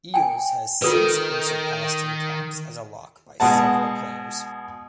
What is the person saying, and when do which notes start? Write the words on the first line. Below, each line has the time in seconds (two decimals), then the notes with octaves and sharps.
Eales has since been surpassed in caps as a lock by several players.
0.14 G5 G#5
0.82 D#3 F4 A4 B4
3.40 B2 G#3 F#5 A5